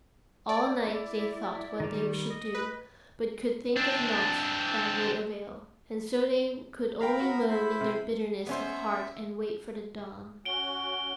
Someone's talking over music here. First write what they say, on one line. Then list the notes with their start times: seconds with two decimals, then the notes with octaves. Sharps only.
All night they thought what they should do, but could think of nought that would avail, and so they could only moan in their bitterness of heart and wait for the dawn.
0.49 D5
0.87 E4
1.80 D#3 G3
2.30 D#5
2.55 B4
3.76 C4 D4
7.01 A#4 F5 G5 A#5 B5
7.20 F#4
7.49 E4 C5 B5
7.81 C3
8.47 B3 C#4 C5 E5
10.45 C#4 F#4 D7 G7